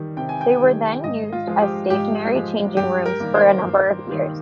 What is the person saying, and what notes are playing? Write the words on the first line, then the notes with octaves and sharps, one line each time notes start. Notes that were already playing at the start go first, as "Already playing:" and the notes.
They were then used as stationary changing rooms for a number of years.
Already playing: D#3 G3
C3 G5
G#5
G5
D#3 G3
G#2 D#5
F4
F3 G#3
G4
G#2 G4
F3 G#3
G2 G4
A#4
D#3 G3 A#3
C5
G2
D#3 G3 A#3